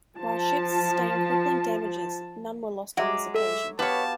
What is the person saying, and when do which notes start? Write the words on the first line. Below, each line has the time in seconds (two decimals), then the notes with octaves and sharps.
While ships sustained crippling damages, none were lost on this occasion.
0.17 F3 A5
2.97 F#3 G#3 E5 F#5 D6
3.35 A4 E5
3.79 B3 G4 B4 C#5 F5 A5